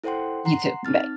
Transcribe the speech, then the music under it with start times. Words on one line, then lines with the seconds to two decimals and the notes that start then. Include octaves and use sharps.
You too. Bye.
0.04 E4 A4 C5 F#5 G5 C6
0.45 F#5 A#5 C6 C7
0.85 C4 D#4 F6 A6